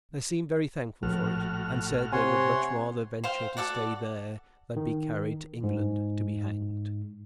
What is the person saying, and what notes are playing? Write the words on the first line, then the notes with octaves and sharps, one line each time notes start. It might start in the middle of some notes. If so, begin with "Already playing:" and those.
They seemed very thankful for it, and said they would much rather venture to stay there than be carried to England to be hanged.
A#1 A2 F#4 F6
C3 C#5 F#5 G#5 C6
C5 F5 G5
F#4 A4 D5 F#5
D#3
G#2